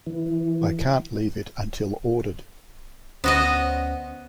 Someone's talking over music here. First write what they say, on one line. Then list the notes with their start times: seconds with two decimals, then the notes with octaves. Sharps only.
I can't leave it until ordered.
0.06 E3
3.24 D2 B3 C#4 F#4 C5 D#5